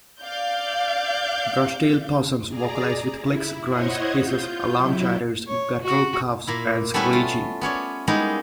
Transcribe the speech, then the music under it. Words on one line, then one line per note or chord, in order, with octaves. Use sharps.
Brushtail possums vocalise with clicks, grunts, hisses, alarm chatters, guttural coughs and screeching.
D5 F5 G6
G#4 D5 A#5
E4
E4 C5 C#5 D#5 F#5 G#6
F4 G6
F#3 E4
C#5
F#4
A#2 A#3 E4
G3 A3 B3 C#4 E4 B4
F4
B3 C#4 C#5 D5
G3 G#3 A#3 B3 D#4 E4